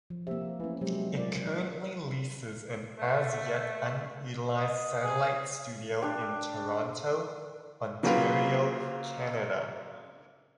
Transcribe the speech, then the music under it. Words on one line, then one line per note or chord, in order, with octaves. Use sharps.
It currently leases an as-yet unutilized satellite studio in Toronto, Ontario, Canada.
F3
C3 A#3 E5
E3 A3 C#4
C3 F#3 G#3
A#2 D5
A3
D#5
G#4
D4 G4
C#3 F#3 A#3 C4 F4 B4